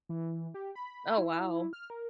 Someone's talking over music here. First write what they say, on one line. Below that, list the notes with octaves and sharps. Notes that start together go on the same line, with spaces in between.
Oh, wow.
E3
G4
B5
E4
F6
A#4